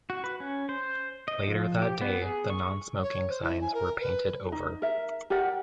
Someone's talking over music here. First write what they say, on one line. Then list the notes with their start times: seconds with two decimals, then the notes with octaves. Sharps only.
Later that day, the nonsmoking signs were painted over.
0.10 F#4
0.24 B4
0.40 C#4
0.69 C5
1.28 D#5
1.48 F3
1.82 G4
2.01 B3
2.22 G#4
2.50 C#6
3.03 C#5
3.29 C5
3.42 E4
3.61 G#5
3.74 A#4
4.01 B4
4.52 D#4
4.82 A#4 E5
5.30 G4 A#4 D5 F#5